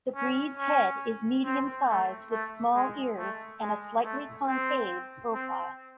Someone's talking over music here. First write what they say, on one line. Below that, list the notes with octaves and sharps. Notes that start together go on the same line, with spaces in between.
The breed's head is medium sized with small ears and a slightly concave profile.
C#4
C#4
C4
A3
A3
G#3
A3
G#3
A3
C4
C4